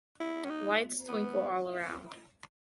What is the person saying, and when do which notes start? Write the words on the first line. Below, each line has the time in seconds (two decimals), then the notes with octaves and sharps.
Lights twinkle all around.
0.20 E4
0.45 C#4
0.50 D#4
1.08 B3